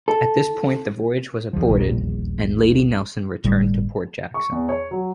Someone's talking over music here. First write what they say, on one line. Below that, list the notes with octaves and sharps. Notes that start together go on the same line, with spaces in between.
At this point the voyage was aborted and "Lady Nelson" returned to Port Jackson.
A4
E2 F3
D#1 A#1 E2
G1 A2 G3
C#6
E2
C#5
F#3